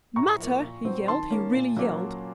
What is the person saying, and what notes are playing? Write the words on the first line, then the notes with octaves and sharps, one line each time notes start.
"Matter!" he yelled; he really yelled.
A2 A#5 C#6
F3 A#3
A#2
F#3 C4
D#3 A5 C6
A#3 C#4
A#2
F#3 A#3 C#4